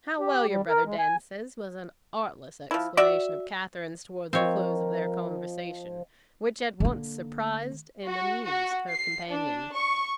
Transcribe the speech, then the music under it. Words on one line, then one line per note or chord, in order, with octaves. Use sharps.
"How well your brother dances!" was an artless exclamation of Catherine's towards the close of their conversation, which at once surprised and amused her companion.
G4
G3
A#4
G#3
G#5
F3 E4
F#4 D5 E5
F3 C4 A#4 C#5 D#5 F5 G5
D3 A#3
F#4
F#4
C7
D4
C#6